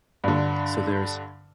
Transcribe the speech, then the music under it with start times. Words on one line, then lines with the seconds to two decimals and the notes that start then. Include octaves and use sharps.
So there's
0.24 G2 D3